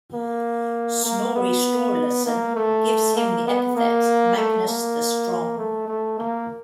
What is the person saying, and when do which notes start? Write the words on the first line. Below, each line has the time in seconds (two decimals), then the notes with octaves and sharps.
Snorri Sturlason gives him the epithet "Magnus the Strong".
0.14 A#3
1.04 A#3
1.35 B3
2.26 A#3
2.56 A3
3.16 A#3
3.47 B3
3.77 A#3
4.37 A3
4.67 A#3
5.58 A3
5.88 A3
6.18 A#3